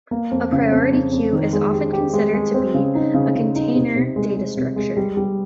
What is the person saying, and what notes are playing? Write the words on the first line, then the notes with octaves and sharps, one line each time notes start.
A priority queue is often considered to be a "container data structure".
A#3
F2
C#3
F2
F2
F2
D#3
G#3
G4
G4
G#3
G#3
C4
C#3
D#4
C#3
C#3
D#4
C3
C3
G#3
G#3
C3
G#3
G3
G3